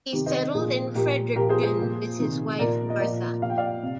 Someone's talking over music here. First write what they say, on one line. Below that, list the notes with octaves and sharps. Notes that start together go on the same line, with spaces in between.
He settled in Fredericton with his wife, Martha.
C3 D#3 G4
C5 D#5
A#2 F3 G#4
A#2 F3 G4 A#4
A#2 F3 G4 A#4
G#4 C5
G#4 C5
A#2 F3
C3 D#3
A#2 F3 A#4 D5
D#5
A#2 F3 A#4 D5
A#2 F3 F5
G5
D5 F5
C3